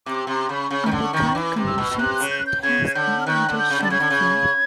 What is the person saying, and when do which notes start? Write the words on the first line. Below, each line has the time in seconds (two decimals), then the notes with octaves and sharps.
Under dry conditions it has unlimited shelf life.
0.06 C3 D6
0.27 C3 C6
0.49 C#3 B5
0.70 C#3 C#6
0.86 D#3
0.91 D3 C6
1.03 C#6
1.13 D#3
1.35 E3 D6
1.56 C3
1.67 E6
1.78 B2
1.91 B2
1.98 C3 F#6
2.15 F#6
2.20 C#3
2.30 G6
2.39 F#6
2.46 G6
2.63 C#3 G#6
2.87 G#6
2.95 D3 G6
3.21 F6
3.27 D#3 F#6
3.49 D3
3.59 G6
3.70 C#3
3.79 D3 A6
3.90 C#3 G#6
4.00 D3
4.10 C#3